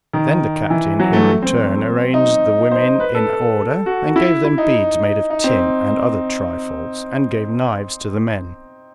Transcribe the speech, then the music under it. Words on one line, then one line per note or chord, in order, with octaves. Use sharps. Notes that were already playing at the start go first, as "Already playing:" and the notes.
Then the captain in return arranged the women in order and gave them beads made of tin, and other trifles, and gave knives to the men.
D#3
E3
F#3
A3
C4
D#4
C5
B4
A4
F#4
E4
E4
D#4
D#4
C4